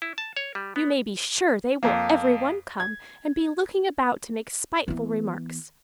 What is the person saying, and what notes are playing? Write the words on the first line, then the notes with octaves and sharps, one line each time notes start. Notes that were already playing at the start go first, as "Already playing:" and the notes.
You may be sure they will every one come, and be looking about to make spiteful remarks.
E4
A5
C#5
G3
B3
F2 A#3
G#6
E3 B3